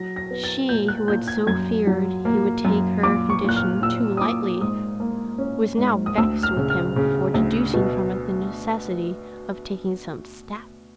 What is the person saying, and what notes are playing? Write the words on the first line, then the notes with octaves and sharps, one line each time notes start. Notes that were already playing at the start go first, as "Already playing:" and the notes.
She who had so feared he would take her condition too lightly was now vexed with him for deducing from it the necessity of taking some step.
Already playing: F#3 A#6
A#6
B3
A6
A#2 G6
F#6
A#2 G6
G#6
F#2 G#6
F#3
A#3
F#2
A#2 D6
C#6
A#2 F#6
F6
A#2 E6
D#6
A#2 D6
G#2 D#6
A#3
C#4
G#2
D#6
D2 E6
F6
C#3
F6
C#3
D2
B2